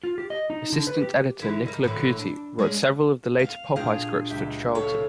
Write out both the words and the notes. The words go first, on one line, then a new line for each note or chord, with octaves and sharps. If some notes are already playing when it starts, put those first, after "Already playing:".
Assistant editor Nicola Cuti wrote several of the later "Popeye" scripts for Charlton.
F4
G4
D#5
D#4
D3
B4
G4
D3 E3 E4
A#3 D#4
A2 D3 E3
D4
G#3 C#4 D4
F5
A#2 D4 G4 G#4 F5
C#2 G4 E5
A4 C#5 F5